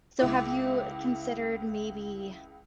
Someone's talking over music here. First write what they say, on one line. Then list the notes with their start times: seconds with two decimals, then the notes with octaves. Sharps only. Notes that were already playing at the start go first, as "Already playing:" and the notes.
so, have you considered, maybe,
0.19 C#2 E4 D6